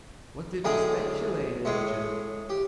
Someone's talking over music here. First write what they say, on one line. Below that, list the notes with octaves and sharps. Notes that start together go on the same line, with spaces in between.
"What did you speculate in, Jim?"
B1 A2 D3 G#4 G5 G#5
A2 G#3 C#5
G4